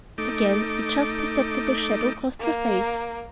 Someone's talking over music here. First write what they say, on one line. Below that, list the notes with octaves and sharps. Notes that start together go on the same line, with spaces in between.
Again a just perceptible shadow crossed her face.
A3 D#4 D6
A#3